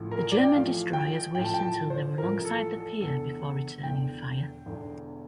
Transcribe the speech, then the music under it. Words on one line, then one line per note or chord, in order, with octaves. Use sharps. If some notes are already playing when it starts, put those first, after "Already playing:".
The German destroyers waited until they were alongside the pier before returning fire.
Already playing: A1 A2 F3
A#4
D5
G5
A1 A2 F3 F5
G5
A1 A2 F3 G5
A5
G5
A5
C5
A1 A2 F3 A#4
A4
A4
E1 E2 D3 A4
E1 E2 D3 G5
E1 E2 D3